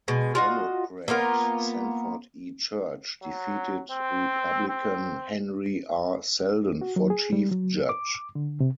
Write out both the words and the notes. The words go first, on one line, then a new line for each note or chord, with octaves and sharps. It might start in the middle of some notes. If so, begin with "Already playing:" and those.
Democrat Sanford E. Church defeated Republican Henry R. Selden for Chief Judge.
B2 G#3
F4 F#4 D#5
A#3 B3 F4 A#4
F#3
C4
C4
F#4
F#3
G#4
G3
F#3
D6
D3
C3